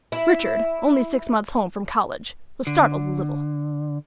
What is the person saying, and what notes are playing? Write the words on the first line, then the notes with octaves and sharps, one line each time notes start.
Richard, only six months home from college, was startled a little.
E4
D3